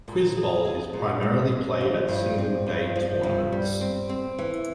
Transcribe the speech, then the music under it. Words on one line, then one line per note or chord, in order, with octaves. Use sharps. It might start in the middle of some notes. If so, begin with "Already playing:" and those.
Quiz bowl is primarily played at single-day tournaments.
A#2
G#4
G#4
A#2
G#3
G#3
F3
G2
C4
G2
F3
G2
G3
C4
C4
E3